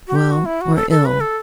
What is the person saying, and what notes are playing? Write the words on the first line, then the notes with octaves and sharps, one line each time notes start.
Well or ill....
F#4
G4
F#4
E4
F#4
A4
A4
B4
A4